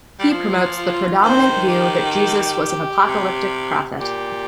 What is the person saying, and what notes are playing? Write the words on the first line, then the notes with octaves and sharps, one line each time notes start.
He promotes the predominant view that Jesus was an apocalyptic prophet.
G3
F3 F4
F4
D#3 C5
G4
G4
C3
A#2 G4